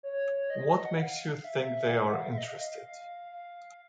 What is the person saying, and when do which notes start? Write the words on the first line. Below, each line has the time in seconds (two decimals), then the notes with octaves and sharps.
What makes you think they are interested?
0.03 C#5
0.50 D#5
0.85 F#5
0.97 F5
1.44 E5
1.90 F#5
2.07 E5
2.15 F5
2.32 E5
2.38 D#5
2.61 F5
2.85 F5
3.32 F5